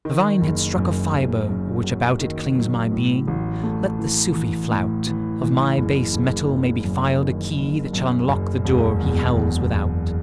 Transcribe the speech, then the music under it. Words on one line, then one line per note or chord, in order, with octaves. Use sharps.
The Vine had struck a Fibre; which about It clings my Being--let the Sufi flout; Of my Base Metal may be filed a Key, That shall unlock the Door he howls without.
D#3
F#1
F#2
F#1
F#2
F#3
D#3
F#3
A2
A1
A3
E3
E3
A2
E3
E3
F#1
F#1
F#2
F#2
D#3
F#1
F#2
F#1
E1
E2
E2
E1